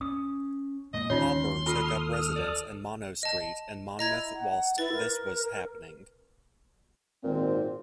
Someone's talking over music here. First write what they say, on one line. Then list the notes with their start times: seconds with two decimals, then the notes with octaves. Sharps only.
Hopper took up residence in Monnow Street in Monmouth whilst this was happening.
0.01 C#4 D#6
0.93 A#2 G#3 A#3 D#5
1.10 D#2 D3 G#3 C#4 D#4 F4 C#5 C6
1.66 F4 A4 A5 D#6 F6
2.36 D5
3.23 D#5 A5
3.99 E4 D#5 A#5 G#6
4.34 F#5
4.78 E4 B4 A6
4.94 A#4
7.24 G#1 A#2 C4